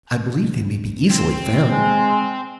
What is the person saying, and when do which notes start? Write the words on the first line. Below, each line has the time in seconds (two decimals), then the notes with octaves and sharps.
I believe they may be easily found.'
1.11 C4
1.67 G#3